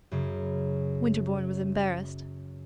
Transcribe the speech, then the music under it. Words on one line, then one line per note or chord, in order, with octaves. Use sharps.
Winterbourne was embarrassed.
F#2 C#3